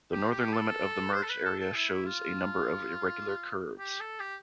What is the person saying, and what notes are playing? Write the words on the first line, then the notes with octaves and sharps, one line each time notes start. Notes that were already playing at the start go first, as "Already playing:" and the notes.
The northern limit of the merged area shows a number of irregular curves.
G4
G4
A4
C5
A4
B4
A4
A4
E4
F4
G4
A4
G4